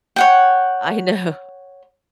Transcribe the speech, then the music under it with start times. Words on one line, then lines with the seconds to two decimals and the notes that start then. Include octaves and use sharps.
I know.
0.16 C#5 F#5 G5